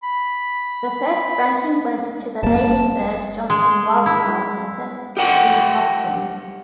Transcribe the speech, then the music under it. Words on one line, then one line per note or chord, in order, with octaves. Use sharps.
The first ranking went to the Lady Bird Johnson Wildflower Center in Austin.
B5
F#1 A#3 A5
G#3
E4
G4 A#4 F#5 G5